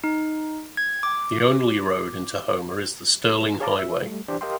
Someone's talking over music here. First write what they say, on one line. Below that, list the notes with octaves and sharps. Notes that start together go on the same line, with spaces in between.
The only road into Homer is the Sterling Highway.
D#4
G#6
D6
G#4 C#5 F5 A5 A#5 D6
E5
G3 A3
E3 D4 G4 C5 D5
G4 A#4 D#5 F5 G5 C6